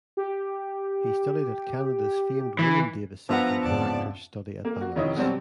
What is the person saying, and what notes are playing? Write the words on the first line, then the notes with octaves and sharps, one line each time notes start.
He studied at Canada's famed William Davis Centre for Actors Study at VanArts.
G4
E3
F3 B3 D4 B4 C5 E5 F#5 A#5
F2 G#2 C#3 D5 A5
A#3
F#4
F1 D#3 C#4 E4 C#5 D#5
B2 F#3 G3 C4 C#4